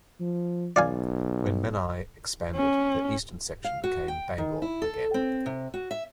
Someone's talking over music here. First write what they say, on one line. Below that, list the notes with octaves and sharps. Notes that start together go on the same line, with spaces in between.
When Menai expanded, the eastern section became Bangor again.
F3
B1 D5 F5 G#5
C#4
F5
F#4
G5
D#3
E4
A4
C4
C3
F#4
E5